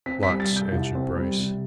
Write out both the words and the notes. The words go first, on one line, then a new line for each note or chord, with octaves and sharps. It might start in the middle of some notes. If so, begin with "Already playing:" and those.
"Lots!" answered Bryce.
C4 B6
B6
G3
A6
C3
G6
C2
C4
G3
C3